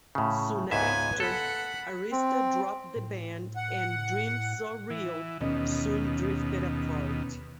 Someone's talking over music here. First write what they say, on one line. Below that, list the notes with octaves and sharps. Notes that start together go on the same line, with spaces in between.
Soon after, Arista dropped the band and Dreams So Real soon drifted apart.
A2 C#3
C#2 G#2 B3 E5 G#5
A4 F#5 B5
C4
A2
F#5
E3
D#2 B2 C#4 D#5